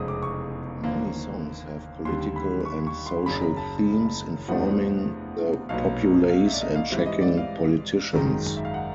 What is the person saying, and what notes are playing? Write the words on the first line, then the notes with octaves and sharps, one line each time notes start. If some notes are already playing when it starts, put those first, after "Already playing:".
Many songs have political and social themes, informing the populace and checking politicians.
Already playing: F1 E2 C#3 F3 G#3 D#6
D6
C#6
D#2 D3 F3 A#3
D#2 D3 G3 C6
B5
C#6
C#6
C6
F#1 F#2 C#3 B5
A#5
A5
E2 C3 F3 A3 D4 F#5
B1 A#2 F#3 B3 F5
F5
E5
D5
D#5
F5
G#2 E3 G3 C4 E5
D#5
D5
F5
G#1 F#2 D#3 G#3
E5
F5
F#5